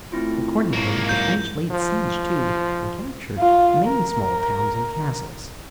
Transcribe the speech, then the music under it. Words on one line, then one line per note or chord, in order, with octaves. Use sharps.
Accordingly the French laid siege to and captured many small towns and castles.
A3 C4 E4 F4
G#2 F#3 A#3
G6
F3
F4
A#4